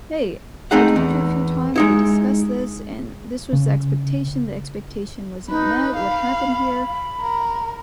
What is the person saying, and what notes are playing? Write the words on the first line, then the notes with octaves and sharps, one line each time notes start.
"Hey, I told you a few times, we discussed this, and this was the expectation, the expectation wasn't met, what happened here?
A3 C4 D#4 G#4 F#5
E2
G#3 D#4 E4
C#3
D#4 B4
F5 B5
A#4